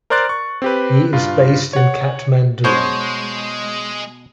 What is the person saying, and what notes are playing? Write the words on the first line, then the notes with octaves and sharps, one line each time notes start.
He is based in Kathmandu.
A#4 C5 D5 C6 F#6 A6
C#6
C4 G4 B4
G2 F4
C#5 F#5
B2 G#3 C5 C#5